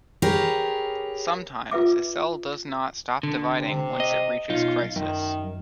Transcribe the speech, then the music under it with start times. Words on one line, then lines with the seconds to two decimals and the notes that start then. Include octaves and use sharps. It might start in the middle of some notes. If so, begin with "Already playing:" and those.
Sometimes, a cell does not stop dividing once it reaches crisis.
0.22 G4 G#4 A#4 B4 C#5
1.71 F4 B4 E5 D6
3.23 D3
3.58 C3
4.00 D#5
4.50 B1 D#4 F4
4.96 F#2 D#3